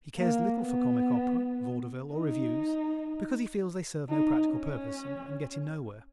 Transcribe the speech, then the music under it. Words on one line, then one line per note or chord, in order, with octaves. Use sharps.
He cares little for comic opera, vaudeville or revues because he feels they serve no practical purpose and get him nowhere.
A#3
B3
D#4
D#4
C#4